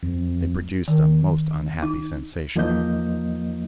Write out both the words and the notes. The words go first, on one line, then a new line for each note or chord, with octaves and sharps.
They produced a most unhappy sensation.
F2
D#3
D#4
E2 F3 A#3 D#4 D#5 G6